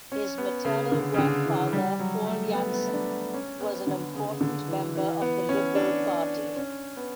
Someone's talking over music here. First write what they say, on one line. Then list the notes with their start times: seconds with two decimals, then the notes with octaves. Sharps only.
His maternal grandfather, Paul Janson was an important member of the Liberal Party.
0.12 C#4
0.38 B3
0.65 C#3
0.92 D3
1.14 C#3
1.18 D3
1.45 E3
1.73 G3
1.99 F#3
2.26 A3
2.53 B3
2.73 B3
2.93 D4
3.34 C#4
3.60 B3
3.87 D3
4.14 C#3
4.41 D3
4.68 E3
4.95 E3
5.21 B3
5.49 C#4
5.75 D4
6.56 C#4
6.97 B3